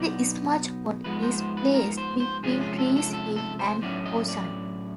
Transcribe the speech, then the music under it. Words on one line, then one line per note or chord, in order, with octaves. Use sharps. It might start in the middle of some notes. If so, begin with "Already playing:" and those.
The smudge pot is placed between trees in an orchard.
Already playing: B2 F#3 B3 D#4 D5
G#2 F3 G#3 B3 B4
C5
C5
B4
A#4
C5
C5
C3 F3 G#3 C#4 G#4
G#4
A4
A4
A4
A4
C5
A2 F#3 A3 C#4 D5
D#5
D5